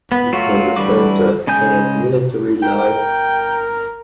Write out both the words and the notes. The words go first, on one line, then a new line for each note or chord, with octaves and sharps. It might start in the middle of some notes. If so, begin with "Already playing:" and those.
This was the center of cadet military life.
B3
F#3 A3 F4 F#4
D3 E3 G3 F#4 D6
C#3 G#3 G#5 G6
A#4 G5